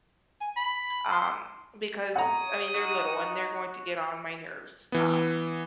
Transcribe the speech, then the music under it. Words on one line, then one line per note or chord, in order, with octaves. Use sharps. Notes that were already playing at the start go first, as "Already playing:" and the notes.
um, because, I mean, they're little and they're going to get on my nerves, um,
G#5
B5
C6
C#5 F#5 A#5 D#6
D#4 F#4
E3 B3